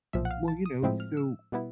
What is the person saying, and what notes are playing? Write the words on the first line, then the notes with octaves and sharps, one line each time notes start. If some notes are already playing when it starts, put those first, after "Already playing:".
well, you know, so
B1 A#2 F3 E5
F#5
F5
A5
D#6
A2 F3 G#3 C4 E4
F6
E6
B2 G3 B3 E4